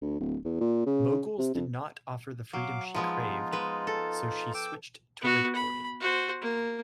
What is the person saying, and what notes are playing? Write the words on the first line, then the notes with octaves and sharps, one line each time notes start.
Moguls did not offer the freedom she craved, so she switched to wakeboarding.
D2
D1
E2
A#2
C#3
C3
F2
F#3 F5 D6
F3 G#3 B3 D#4 F4
G#3 B4
A4
G5 D6 E6
B3 F#4
B5
F#4 C5
A#3